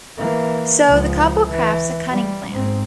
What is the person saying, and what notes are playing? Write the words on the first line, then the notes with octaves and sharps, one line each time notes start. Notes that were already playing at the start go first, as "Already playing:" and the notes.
So the couple crafts a cunning plan.
E3 A#3
C#2 F3
E3
G3
G#2 C4